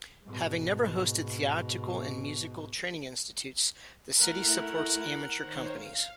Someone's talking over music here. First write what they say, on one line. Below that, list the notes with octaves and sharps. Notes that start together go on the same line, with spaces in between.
Having never hosted theatrical and musical training institutes, the city supports amateur companies.
G#2 B2
A3 E4 A#4 F#5
D#3 C5 C#5
F5